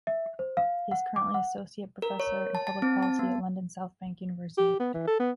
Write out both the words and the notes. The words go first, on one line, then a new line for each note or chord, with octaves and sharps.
He is currently Associate Professor in Public Policy at London South Bank University.
E5
C5
F5
F#5
D6
F#5
A#4
C#5
A5
A5
C4
A5
B3
G4
B3
E3
A4
B3